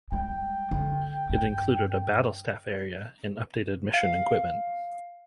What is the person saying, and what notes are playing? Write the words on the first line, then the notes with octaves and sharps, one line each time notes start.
It included a battlestaff area and updated mission equipment.
G3 G#3 G5
D3
G2
F5